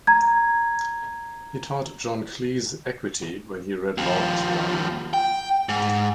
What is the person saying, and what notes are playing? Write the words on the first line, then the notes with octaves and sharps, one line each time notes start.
He taught John Cleese Equity when he read law at Downing.
A#5 G#6
D#2 F3
G5
G#2